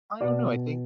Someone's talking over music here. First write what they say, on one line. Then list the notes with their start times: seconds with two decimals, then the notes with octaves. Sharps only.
I don't know. I think
0.21 B2 D5